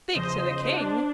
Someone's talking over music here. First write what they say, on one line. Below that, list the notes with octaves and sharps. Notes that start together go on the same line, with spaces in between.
'Speak to the King!...
E2 C#3 F3 C5 D#5
D4 C5